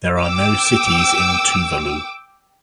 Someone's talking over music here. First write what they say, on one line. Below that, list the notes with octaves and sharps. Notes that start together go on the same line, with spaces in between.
There are no cities in Tuvalu.
G5 D6 E6